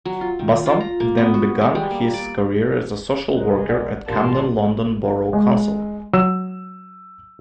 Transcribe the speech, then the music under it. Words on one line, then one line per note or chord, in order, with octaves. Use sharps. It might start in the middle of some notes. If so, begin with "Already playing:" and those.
Bassam then began his career as a social worker at Camden London Borough Council.
F#3
F4
D#3
F4
A#5
A#3
B3
F#4
G#3
G3
A#3
D5
C2 G#3 A#4 C5 C#5
D5 F#5 D#6
A1 G2 A#2 G3 A#3 A5 C6
G#3
F#3 E6 E7